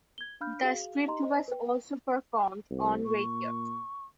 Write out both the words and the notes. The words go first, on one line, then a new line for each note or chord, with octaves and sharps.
The script was also performed on radio.
G#6 G7
D4 F5 B5 F6 G6
F#4 G#4 F5
D#4 G4 D#5 A#5 C6
C5 D#5
B4 G5
C2
A#2 C#6